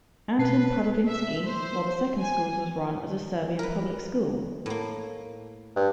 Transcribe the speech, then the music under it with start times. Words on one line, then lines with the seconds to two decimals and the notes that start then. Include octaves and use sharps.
Antun Padovinski, while the second schools was run as a Serbian Public School.
0.39 B2 B4 A5 C7
1.07 E5
1.44 C5
2.18 G#5
3.59 A#4 B4
4.66 A2 A#3
5.76 G2